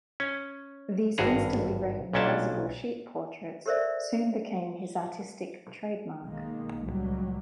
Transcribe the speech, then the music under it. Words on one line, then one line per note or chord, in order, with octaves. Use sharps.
These instantly-recognizable sheep portraits soon became his artistic "trademark".
C#4
G#1 G2 F#4 G#4 A#5
B1 A#2 C#4 D4 A5
G4 A4 A#4 C5 D5 E5
B1 D#3 G#3 A#3
C#2 A#2 F#3 G3